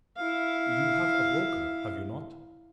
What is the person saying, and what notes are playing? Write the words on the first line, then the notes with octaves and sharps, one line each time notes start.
"You have a broker, have you not?"
E4 F5